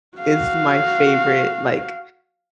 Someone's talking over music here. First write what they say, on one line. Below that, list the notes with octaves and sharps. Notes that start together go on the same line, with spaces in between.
is my favorite, like,
F#4 F5